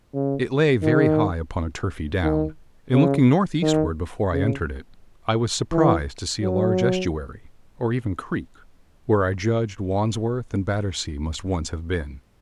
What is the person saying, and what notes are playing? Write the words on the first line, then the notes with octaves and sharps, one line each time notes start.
It lay very high upon a turfy down, and looking north-eastward before I entered it, I was surprised to see a large estuary, or even creek, where I judged Wandsworth and Battersea must once have been.
C#3
D#3
D#3
C#3
D#3
C#3
E3
F#3